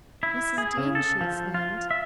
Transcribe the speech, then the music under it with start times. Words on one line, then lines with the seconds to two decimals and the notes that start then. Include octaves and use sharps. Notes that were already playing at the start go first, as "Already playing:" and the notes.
Mrs. Dean!' she exclaimed.
0.23 E4
0.58 G#4
0.77 C#3
0.95 A4
1.21 F3
1.54 F4
1.91 E5